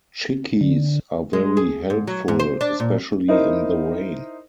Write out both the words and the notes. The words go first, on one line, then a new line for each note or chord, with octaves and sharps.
Chickees are very helpful, especially in the rain.
D3
G#3
G#4
G#2
F#3
G#2
C5
D4
A#2
D#4 E4 A#4 C5 D#5